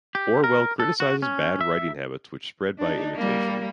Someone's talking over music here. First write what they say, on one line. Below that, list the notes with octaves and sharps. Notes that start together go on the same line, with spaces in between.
Orwell criticises bad writing habits which spread by imitation.
G4
A#4
A4
F#4
C#4
E5
D4 D#4
G3 A#3